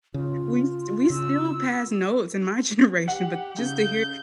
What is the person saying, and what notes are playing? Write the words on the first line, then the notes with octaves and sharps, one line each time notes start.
We st we still pass notes in my generation, but just to hear
C#3 F4
C#3 E6
G4 F#5
C#3 G6